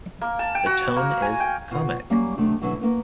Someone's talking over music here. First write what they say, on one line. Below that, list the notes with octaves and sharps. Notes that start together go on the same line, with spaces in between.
The tone is comic.
A#3
A5
G5
F#4
A#3
G#5
G5
B2 F4 F#5
F#3 G3 A#3 C#4
C3 D#3 F#3 A3 D4
B2 D3 E3 F#3 B3
A#3 B3 C#4